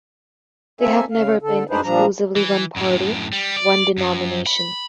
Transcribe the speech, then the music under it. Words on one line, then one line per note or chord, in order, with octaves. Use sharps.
They have never been exclusively one party, one denomination.
A#3 C4 A4 E5 G#5
C#3 F5
D3 A4
F#2 D4 D#4 G#4 B4 C5
A#2 F3 G3 D4 A#5
E3
F#2 A2
G3
D5
F#2
B5